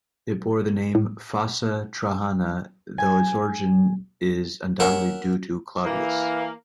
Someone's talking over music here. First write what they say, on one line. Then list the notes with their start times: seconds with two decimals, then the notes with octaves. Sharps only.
It bore the name "Fossa trajana", though its origin is undoubtedly due to Claudius.
0.95 A2
2.98 G#5
4.80 A#3 C#4 A#4 E5 F#5
5.84 E3 A#3